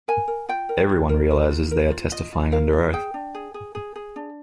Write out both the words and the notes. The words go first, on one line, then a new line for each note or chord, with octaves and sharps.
Everyone realizes they are testifying under oath.
A#4 G#5
A#4
F4 G5
A#4
F4
A#4
A#4
F4
A#4
F4
F4 D#5
F4
A#4 F5
F4
G#4 G5
D4
G#4
G#4
G#4
G#4
D4